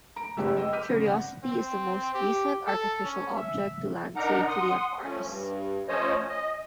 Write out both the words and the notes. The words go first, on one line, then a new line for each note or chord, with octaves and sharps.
"Curiosity" is the most recent artificial object to land safely on Mars.
A#5 D7
F#1 G2 G3 G#3 G4 E6
G#3 D#5 G5 E6
D6 F6 G6 B6 D#7
G#1 C#3 A#6
F#5
C4
G4
A4
C#4
E5
D4 D#4 A#4 F#5 A#5
F#5 C6 D#6
F3 A3 C#4
G2
F3 A3 C#4 C5 C#5 D#5
D#5